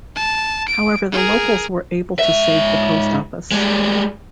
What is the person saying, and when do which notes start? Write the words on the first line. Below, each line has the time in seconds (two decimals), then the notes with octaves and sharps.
However the locals were able to save the post office.
0.16 A5
0.68 D7
1.12 G#4 A#4
2.19 G#2 E5
3.52 G3 G#3